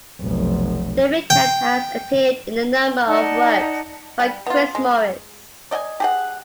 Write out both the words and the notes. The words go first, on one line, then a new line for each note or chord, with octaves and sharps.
David Cann has appeared in a number of works by Chris Morris.
F1 B1
G5
D#4 D5 F#5 A5
G3
B3 F4
G#3
D5 D#5 F#5 G#5
G4 G#4 F#5